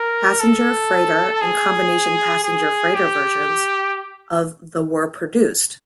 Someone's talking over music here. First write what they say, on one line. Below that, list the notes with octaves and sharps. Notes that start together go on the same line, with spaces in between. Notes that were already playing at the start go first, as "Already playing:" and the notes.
Passenger, freighter and combination passenger-freighter versions of the were produced.
Already playing: A#4
A4
G#4
G#4
G4